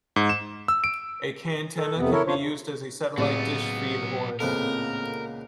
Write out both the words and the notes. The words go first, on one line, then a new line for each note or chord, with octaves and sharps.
A cantenna can be used as a satellite dish feed horn.
G#2
E7
E6
D7
A4
F2 C3 B3
E4 A4 A#4 C#5
D4 F4 C5 C#5
C#3
C#2 A2 F#3 B3 C4 G4 A6
C#2 A#2 B3 C4 A4 A#4